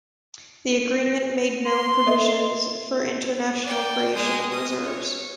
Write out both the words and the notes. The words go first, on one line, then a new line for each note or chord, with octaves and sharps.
The agreement made no provisions for international creation of reserves.
A#6
C6
A4 D#5 E5
D5 G5
G#3 D#6
D#6
C#5